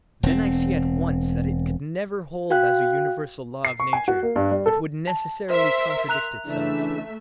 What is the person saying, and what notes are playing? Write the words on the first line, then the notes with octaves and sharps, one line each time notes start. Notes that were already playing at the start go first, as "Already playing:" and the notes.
Then I see at once that it could never hold as a universal law of nature, but would necessarily contradict itself.
E1 C4
F#4 F5 G5 F#6
C7
C#6
G#5
F#4
A#3
G2
G3
A4
A5
A#4 C5 E5 C6
A#5 F#6 F7
C#3 E3 A3 D4 E5